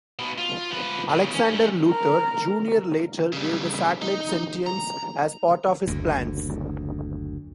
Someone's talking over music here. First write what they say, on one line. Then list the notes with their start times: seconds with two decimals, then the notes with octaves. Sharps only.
Alexander Luthor, Junior later gave the satellite sentience as part of his plans.
0.19 B1 B2
0.38 F4
0.71 F3 B4
1.10 B1 C#3
1.34 C#4
1.51 G2 A3
1.89 A#4
3.33 C#3 G3
4.02 D#4
4.67 A#5
5.88 F#1 D2